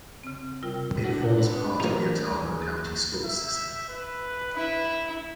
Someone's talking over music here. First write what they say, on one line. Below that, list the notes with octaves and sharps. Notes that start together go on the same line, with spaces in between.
It forms part of the Autauga County School System.
C#3 C4
C3 G3 F4 A#4 G5 E6
A3 D4 F#4
C4 B4
A1 E3 D4 D#4 G4 A#4
D#2 E3 G#4
E5
B4
E4